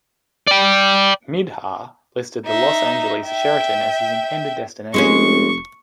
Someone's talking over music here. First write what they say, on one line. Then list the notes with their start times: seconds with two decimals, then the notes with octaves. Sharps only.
Mihdhar listed the Los Angeles Sheraton as his intended destination.
0.47 D5 G5
2.46 D#4 E5
3.26 E5 G5
4.94 F1 G#3 A#3 C#4 C#6